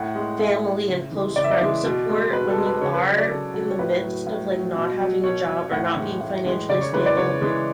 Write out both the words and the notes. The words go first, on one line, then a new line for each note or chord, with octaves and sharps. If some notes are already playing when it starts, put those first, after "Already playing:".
family and close friend support when you are in the midst of, like, not having a job or not being financially stable,
Already playing: A2 F#5
G#3
A2 E5
G#3
C#3
E3 G#3
C#3 D5
E5
D5
E3 G#3
B2
G#3
B2 B4
A4
G#3
B4
C#3 C#5
B4
F#3 B4
D5
C#3 A4
F#3
C#5
A2 B4
F#3
A2
F#3
B2
F#3
B2 C#5
F#3
A2 F#5
E3 G#3
A2
E3 G#3
C#3 D5
C#5
E3 G#3 B4
D5
C#3 C#5
E3 G#3